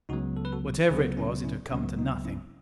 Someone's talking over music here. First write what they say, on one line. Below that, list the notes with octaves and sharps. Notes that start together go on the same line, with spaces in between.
Whatever it was, it had come to nothing.
C#2 C#3 F#3 B3 D#4 F#4
A4
B4
F#4 A4
C#2 C#3 F#3 B3 G#4 B4
C#4 E4
C#4 E4
C#2 C#3 F#3 B3 C#4
D#4
C#4 E4